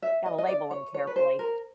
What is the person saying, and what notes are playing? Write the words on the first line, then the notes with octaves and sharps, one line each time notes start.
Gotta label 'em carefully.
E5
D#5
D#5
D5
C#5
C#5
B4
C5
A#4